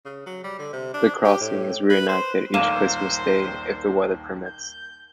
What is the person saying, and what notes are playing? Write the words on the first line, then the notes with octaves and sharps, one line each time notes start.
The crossing is re-enacted each Christmas Day if the weather permits.
C#3
F#3
G3
D3
C3
D4
G4
A2
B4
C5
D#1 A#1 D#2 A#3 C5 F5 D#7 E7
G6